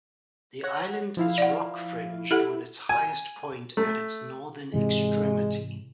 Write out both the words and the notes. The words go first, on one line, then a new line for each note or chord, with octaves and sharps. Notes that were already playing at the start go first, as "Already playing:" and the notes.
The island is rock fringed with its highest point at its northern extremity.
C#5 F#5 A#6
F3 E4 F5
D5 F#5
E4 G4 A4 F#5
G#5
A3
G#2 C3 E3 G#3